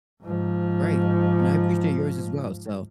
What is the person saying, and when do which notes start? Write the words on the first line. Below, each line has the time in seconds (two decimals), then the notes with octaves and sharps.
Right, and I appreciate yours as well, so,
0.23 G#2 F3